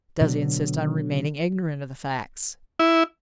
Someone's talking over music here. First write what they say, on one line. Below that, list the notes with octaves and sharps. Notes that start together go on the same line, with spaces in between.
Does he insist on remaining ignorant of the facts?
B2 D3 F#3
E4